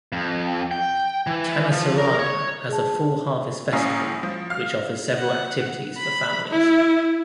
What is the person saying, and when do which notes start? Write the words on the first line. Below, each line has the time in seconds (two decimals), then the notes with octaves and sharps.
Canaseraga has a Fall Harvest Festival which offers several activities for families.
0.12 F2
0.71 G5
1.27 E3
1.71 F3
1.98 A#4
2.19 C#5
2.69 G#4 A5
3.72 A#1 A2 C#4 F5 A#5 D#6
4.23 F3
4.50 F5 F6
5.15 F#5
5.97 B5
6.49 E4